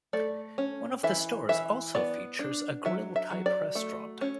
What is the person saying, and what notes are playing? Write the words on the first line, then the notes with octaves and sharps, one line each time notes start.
One of the stores also features a grill-type restaurant.
A3 D5
C#4
E3 E5
E3 E5
B3 D5
D4
F#3 E5
E5
F#3
D5
A3
C#4